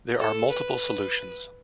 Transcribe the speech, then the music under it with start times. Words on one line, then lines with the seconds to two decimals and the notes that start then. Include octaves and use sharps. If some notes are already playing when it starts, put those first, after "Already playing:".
There are multiple solutions.
0.19 A4
0.50 B4